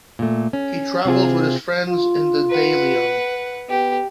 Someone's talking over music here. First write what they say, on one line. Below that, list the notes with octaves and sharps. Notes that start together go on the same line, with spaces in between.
He travels with his friends in the Daileon.
A#2 A3
C#4
C3 C4 F4 G#4
F4
B4 F#5
B3 G4